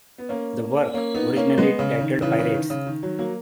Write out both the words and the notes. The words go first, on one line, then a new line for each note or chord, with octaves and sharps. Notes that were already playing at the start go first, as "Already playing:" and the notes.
The work, originally titled Pirates!
B3
A#3 C#4
A#3 C#4
B3 D#4
A#3 C#4
G#3 B3
C#3
D#3
C#3 E3
C#3 E3
D#3
C#3
D#3
D#3 F#3
F#3 A#3